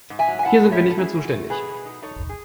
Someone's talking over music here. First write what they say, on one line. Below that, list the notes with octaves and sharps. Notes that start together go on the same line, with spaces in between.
Hier sind wir nicht mehr zuständig.
G#2
E5 G#5
F#3
G#5
E4 F#5 A5
A2
C#5 E5
C#4
A4
C#4 E4 G#4
F#2
A3
B2 G#4 B4
B2
D#4
D#4 A4 C#5
G#4